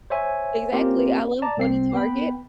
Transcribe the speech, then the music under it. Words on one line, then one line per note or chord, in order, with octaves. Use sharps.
Exactly. I love going to Target.
C5 C#5 E5 G#5
A#3 C4 C#4 F4 G4 A#4
D5 A5 A#5
C2 C4 C7
B3 B4 G5 B5